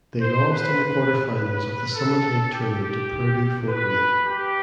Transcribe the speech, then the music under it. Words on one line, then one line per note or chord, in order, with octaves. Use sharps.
They lost in the quarterfinals of the Summit League Tournament to Purdue Fort Wayne.
C5
B4
B4
A4
G4
B4
G4